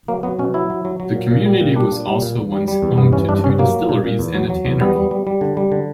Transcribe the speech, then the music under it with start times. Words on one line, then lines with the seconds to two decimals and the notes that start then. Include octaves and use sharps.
The community was also once home to two distilleries and a tannery.
0.08 F#3 A#3
0.23 F#3 B3
0.39 B2 C#4
0.54 F#3 E4
0.70 F#3
0.85 F#3
1.00 F#3
1.15 A#2
1.31 A#2
1.46 G3
1.61 A#2
1.76 G3 D4
1.91 A#2
2.07 G3
2.22 A#2
2.37 E2
2.52 G3
2.68 G3
2.82 E2
2.98 G2 B3
3.12 E3 C#4
3.29 G2 D4
3.44 G2 C#4
3.59 F#3 A#3
3.74 F#3
3.89 A#2
4.04 A#2
4.19 E2
4.35 F#3
4.50 F#3
4.65 E2
4.81 G3 B3
4.96 G3
5.11 G3
5.27 G3
5.41 D3
5.57 G3
5.72 D3